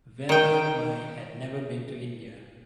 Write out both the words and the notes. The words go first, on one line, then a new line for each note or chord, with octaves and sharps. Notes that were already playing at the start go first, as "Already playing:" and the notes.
Valliammai had never been to India.
D#3 G5